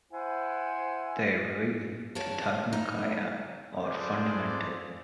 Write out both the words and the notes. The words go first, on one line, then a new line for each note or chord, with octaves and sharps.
They reveal the dharmakaya, or Fundamental.
E4 C5 F#5 G#5
A#4 C#5 D5 F5 G#5 A5
D#4 E4
F4 G#4 A4 B4 C5 D5